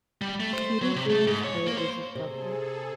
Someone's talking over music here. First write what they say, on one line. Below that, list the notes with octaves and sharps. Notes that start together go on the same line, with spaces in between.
Peter Julius Coyet was his brother.
G3
A3
C5
F#3
C3
A3
G#2
C#5
A#3
C5
C3 G#4 A4